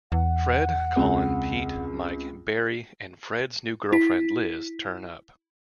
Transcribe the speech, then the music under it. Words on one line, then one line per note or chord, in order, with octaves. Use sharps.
Fred, Colin, Pete, Mike, Barry and Fred's new girlfriend Liz turn up.
E2 F#5
C#2 C4
E4 B6